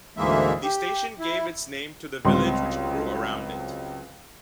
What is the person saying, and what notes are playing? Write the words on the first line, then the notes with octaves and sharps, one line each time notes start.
The station gave its name to the village which grew around it.
D2 G#2 E3 G#3 A#3 E5
G4
E4
C#2 F#3 G3 C4 C6